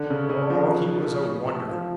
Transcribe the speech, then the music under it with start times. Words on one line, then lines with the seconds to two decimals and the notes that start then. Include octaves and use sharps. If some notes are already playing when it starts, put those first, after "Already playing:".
Oh, he was a wonder!
Already playing: D3
0.10 C#3
0.29 C#3
0.50 F3
1.69 F3